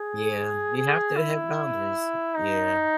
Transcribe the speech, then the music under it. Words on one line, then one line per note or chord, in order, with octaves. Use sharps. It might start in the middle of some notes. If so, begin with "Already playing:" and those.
yeah, you have to have boundaries, y yeah.
Already playing: G#4
G#4
E4
D#4